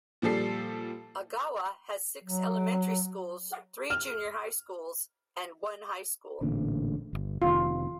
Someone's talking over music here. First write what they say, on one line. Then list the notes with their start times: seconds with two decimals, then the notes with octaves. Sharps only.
Ogawa has six elementary schools, three junior high schools, and one high school.
0.22 A#2 F3 G3 A4 C7
2.24 F#3
3.90 F6
6.41 A1 A#2 D3
7.13 G1
7.42 F1 C3 D#3 F4